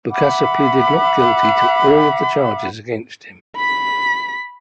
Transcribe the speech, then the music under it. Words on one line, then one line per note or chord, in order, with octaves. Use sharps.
Bokassa pleaded not guilty to all of the charges against him.
E5 F#5 B5 D6
B5 B6